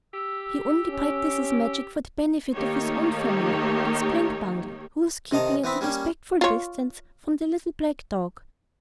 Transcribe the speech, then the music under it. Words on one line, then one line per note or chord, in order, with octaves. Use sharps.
"He only practices magic for the benefit of his own family," explained Bungle, who was keeping at a respectful distance from the little black dog.
G4 E6
C#4
D#3 A3 A#3 D#4 G4 C#5
C3 D#3 D#5 A5 A#5
E3 B3 C4 B5
G3 A#3 C#4 G4
F4 C#5